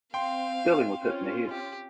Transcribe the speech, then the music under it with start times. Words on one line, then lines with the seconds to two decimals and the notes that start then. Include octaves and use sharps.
Sterling was hit in the head.
0.14 C4 F5 G5 C6
1.01 C4 C#4 F4
1.50 G4